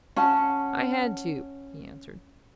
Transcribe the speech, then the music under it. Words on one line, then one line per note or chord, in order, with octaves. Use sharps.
"I had to," he answered.
C#4 F#5 A5